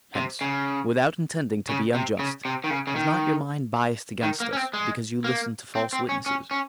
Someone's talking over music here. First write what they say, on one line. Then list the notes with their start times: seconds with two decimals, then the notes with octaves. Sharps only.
Hence, without intending to be unjust, is not your mind biased against us because you listened to false witnesses?
0.15 C3
0.41 C#3
1.69 C#3
1.94 C3
2.19 C#3
2.45 C3
2.64 D#3
2.70 C#3
2.87 C#3
2.96 D#3
4.23 D#3
4.40 A#3
4.53 C#4
4.57 C4
4.73 G#3
5.24 A#3
5.75 C4
5.93 C4
6.09 C#4
6.26 C#4
6.51 C#4